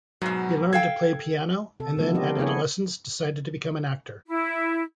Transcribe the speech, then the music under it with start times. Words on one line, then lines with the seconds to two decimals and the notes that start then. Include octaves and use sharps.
He learned to play piano, and then at adolescence decided to become an actor.
0.22 G#2 B2 F#3
0.73 A4 F5 G5 G#6
1.80 C3 A4
1.97 D3 D#3 F3 A3 B3
2.14 G3 C4 D4 F4 G4 D#5
2.39 B3 D4 E4 G#4 C#5
4.26 E4